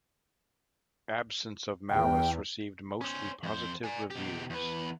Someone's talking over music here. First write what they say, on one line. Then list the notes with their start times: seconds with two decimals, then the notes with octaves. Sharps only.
"Absence of Malice" received mostly positive reviews.
1.90 E2 G5
3.01 C#4 C5
3.43 F2 C5
3.84 D5 G#5
4.10 B2 G4
4.50 E2 B4